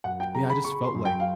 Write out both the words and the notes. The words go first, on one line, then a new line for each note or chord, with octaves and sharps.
but, yeah, I just felt I
F#2 F#5
G5
C#3 A#5
B5
C#3 C#6
C6
F#2
G5
F5